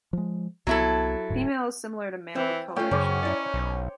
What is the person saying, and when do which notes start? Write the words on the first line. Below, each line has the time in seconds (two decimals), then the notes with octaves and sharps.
Female is similar to male with coloration.
0.13 F3 G#3
0.67 C2 F#3 B3 E4 A4
1.30 D1 D2 G#2
2.35 E3 C4
2.76 A3 C#4 F4 C#5 G5
2.91 F#2 C#3 C5 C#5 D6
3.23 D#4 E4 D5
3.54 B1